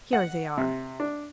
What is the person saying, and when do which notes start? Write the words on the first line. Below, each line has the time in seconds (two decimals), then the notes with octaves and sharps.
Here they are...
0.13 F#5
0.58 C3
1.00 D4